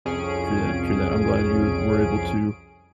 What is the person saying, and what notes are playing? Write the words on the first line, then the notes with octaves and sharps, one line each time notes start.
True that. True that. I'm glad you were able to
C2 F2 C#4 G#4 D7